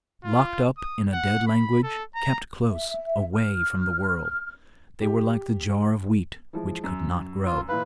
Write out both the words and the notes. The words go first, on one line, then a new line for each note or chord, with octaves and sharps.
Locked up in a dead language, kept close, away from the world, they were like the jar of wheat which could not grow.
F4
D#6
F#5
B5
A4
A#5
E5
F6
G4
E3 F3 G#3
F#2
F4
A#2 E3 B4 F5